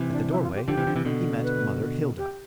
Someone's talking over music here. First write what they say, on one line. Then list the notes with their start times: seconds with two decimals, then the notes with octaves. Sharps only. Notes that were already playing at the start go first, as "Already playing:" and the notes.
At the doorway he met Mother Hilda.
Already playing: C3 E3
0.12 D4
0.30 E4
0.43 F4
0.55 G4
0.68 D3 F3 G4
0.77 C3 E3
0.87 D3 F3
0.96 C3 E3
1.05 B2 D3
1.43 B4
2.18 G4